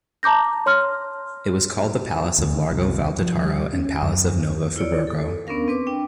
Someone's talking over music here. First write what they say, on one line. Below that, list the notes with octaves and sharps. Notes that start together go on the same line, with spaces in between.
It was called the Palace of Largo Valdetaro and Palace of Nova Friburgo.
A5 A#5 D6 G6 A#6
C#5 C6 F6
D2
C2
F3
G3
C#4
F#2
E4 F4 C#5 D5
A4
B3 C#4 D4 A#4 F5
C4 B4 D6
D4 G5